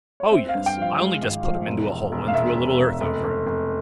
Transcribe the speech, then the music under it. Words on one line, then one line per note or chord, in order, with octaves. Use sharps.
'O yes, I only just put him into a hole, and threw a little earth over him.
C#5
C4 E5
F5
G2
G5
F3 F5
G#3
G#1
F3
E1
E1
E1
F5
E1 E5
E1
E1
F1
F1
F1